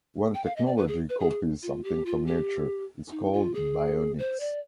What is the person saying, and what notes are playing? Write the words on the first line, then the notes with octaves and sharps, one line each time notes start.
When technology copies something from nature, it's called bionics.
G5
F5
D#5
D5
B4
G#4
B4
G#4
F4
G4
F4
G4
D#4
F4
G#4
C5
D5